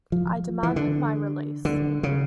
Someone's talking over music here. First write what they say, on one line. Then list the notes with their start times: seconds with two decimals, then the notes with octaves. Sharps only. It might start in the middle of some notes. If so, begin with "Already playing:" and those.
I demanded my release.
0.12 F3
0.63 E3
0.76 D3
1.65 D3
2.03 C#3